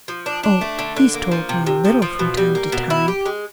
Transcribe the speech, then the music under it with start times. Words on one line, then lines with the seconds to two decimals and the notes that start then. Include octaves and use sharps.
Oh, he's told me a little, from time to time.
0.08 F3
0.26 D4
0.43 D4
0.61 A3
0.79 D3
0.96 D3
1.14 A#3
1.31 F3
1.49 C3
1.66 C3
1.85 F3
2.02 F3
2.19 B2
2.37 G3
2.55 A#3
2.72 B2
2.90 E4
3.08 G4
3.25 G#3